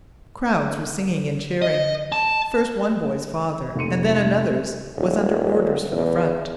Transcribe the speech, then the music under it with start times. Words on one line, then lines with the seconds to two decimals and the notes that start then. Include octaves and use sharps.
Crowds were singing and cheering. First one boy's father and then another's was under orders for the front.
1.62 D#5
2.12 A5
3.76 F1 A#3 C6 C#7 D#7
4.96 D#1
5.92 E2